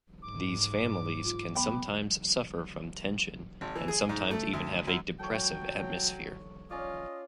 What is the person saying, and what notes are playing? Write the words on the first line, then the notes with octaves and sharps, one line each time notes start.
These families can sometimes suffer from tension and sometimes even have a depressive atmosphere.
G#2 D6
F4
B3 G5 B5
G#1
E3
G#4
G#2
A3
D2
F#2
F#3 A4 C#5 G5
C#4 F4 D5 D#5